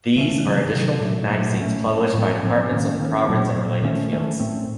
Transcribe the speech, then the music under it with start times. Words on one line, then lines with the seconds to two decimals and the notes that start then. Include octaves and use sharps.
There are additional magazines published by Departments of the province in related fields.
0.16 C#3 A3 C#4
0.45 C3 D#3 F#3
0.73 C3 D#3 F#3
1.01 A#2 F#3 A3
1.29 A#2 F#3 A3
1.58 A2 A3 C#4
1.86 A2 A3 C#4
2.14 A2 F3 C4
2.43 A2 F3 C4
2.70 D#3 A#3 C#4
2.99 D#3 A#3 C#4
3.26 A#2 F#3 C4
3.56 A#2 F#3 C4
3.83 D#3 A3 C#4
4.12 D#3 A3 C#4
4.40 A2 A3 C4